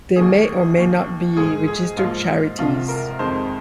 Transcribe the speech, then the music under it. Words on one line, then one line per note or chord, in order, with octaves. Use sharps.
They may or may not be registered charities.
D#2 D#3 A#3 G#4
D#2 D#3 A#3
G#2 G#3 G#4
G#4
G#2 F3 A#3 F4
C2 C3 F3 F4
A#4
F2 D#3 G#3 C5